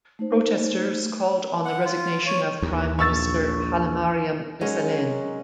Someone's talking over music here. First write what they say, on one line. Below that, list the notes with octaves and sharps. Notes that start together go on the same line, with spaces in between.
Protesters called on the resignation on prime minister Hailemariam Desalegn.
A3 D#4 C5
F#5
F4
C#5
D#2
A#1 C#6 E6 A6
F#3 G#3 C#4 D#4 A#4 C#5